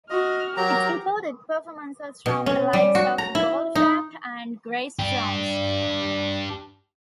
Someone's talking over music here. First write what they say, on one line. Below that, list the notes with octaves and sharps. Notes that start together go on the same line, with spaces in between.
It included performances from the likes of Goldfrapp and Grace Jones.
F#4 D#5 F6
F#3 G4 A#4 A#5
B2
C#4
G3
F#4
A#5
E4
D#4
D4 G4